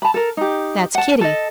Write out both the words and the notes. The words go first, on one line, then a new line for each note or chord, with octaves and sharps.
"That's Kitty."
A5 B5
A4 A#4
D#4 G4
F#5 A5
A4 D#5